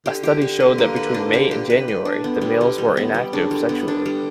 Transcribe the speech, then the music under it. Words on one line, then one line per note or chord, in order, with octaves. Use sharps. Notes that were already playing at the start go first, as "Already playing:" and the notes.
A study showed that between May and January, the males were inactive sexually.
D3 G4
G4
G4
B4
A#3
B4
D4
G4
G4
B4
B4
D4
D3 B3
G3
G3
G3
B3
G3
C#3 D4
D3 G3
D3 B3
D3 D4
G3